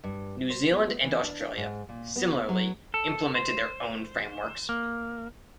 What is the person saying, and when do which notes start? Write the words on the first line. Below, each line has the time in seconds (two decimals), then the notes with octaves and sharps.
New Zealand and Australia, similarly, implemented their own frameworks.
0.04 G2
0.50 C5
0.72 B3
1.04 E3
1.22 D4
1.57 G#2
1.89 A#2
2.16 B3
2.49 F#3
2.94 A4
3.35 C5
4.69 A#3